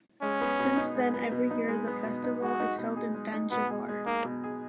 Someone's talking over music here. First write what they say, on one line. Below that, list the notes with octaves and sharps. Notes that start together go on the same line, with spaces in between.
Since then every year the festival is held in Thanjavur.
G#3 C#4
B3
B2
D#4
G#3
B3
B2
D#4
G#3
B3
B2
D#4
G#3 F#4
D#4
B2
G#4
G#3
D#4
B2 B3
G#4
G#3
A#3 D#4
B2
G#4